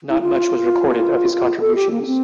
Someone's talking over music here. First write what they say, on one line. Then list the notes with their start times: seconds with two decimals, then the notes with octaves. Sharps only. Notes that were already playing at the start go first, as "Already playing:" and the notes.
Not much was recorded of his contributions.
0.10 E4
0.21 F4
1.60 A4
1.75 G4
1.91 A#3
2.02 D4
2.06 C4